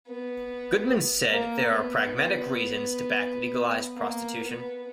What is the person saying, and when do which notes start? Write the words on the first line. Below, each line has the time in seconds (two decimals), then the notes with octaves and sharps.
Goodman said there are pragmatic reasons to back legalized prostitution.
0.08 B3
1.28 A#3
1.72 B3
3.96 A#3
4.41 B3